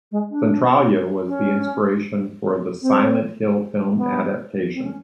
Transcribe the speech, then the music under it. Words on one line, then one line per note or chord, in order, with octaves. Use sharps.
Centralia was the inspiration for the "Silent Hill" film adaptation.
G#3
D4
C#4
C4
B3
C4
C#4